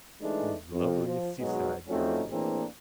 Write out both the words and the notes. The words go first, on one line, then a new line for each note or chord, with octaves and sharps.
Those lovely seaside girls.
E3 G#3 A3 D4 D#4
F2
F3
G#2 B2 F#3 G#3 B3
F3 A3 C4 C#4 D#4 F#4
A2 E3 A#3 C4 D4 G#4